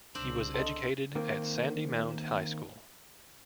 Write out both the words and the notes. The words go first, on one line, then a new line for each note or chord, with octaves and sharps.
He was educated at Sandymount High School.
C2 C#3 C4 D4 C5 E6 E7 F#7
A4 D#5 C6
D#3 A#3 C4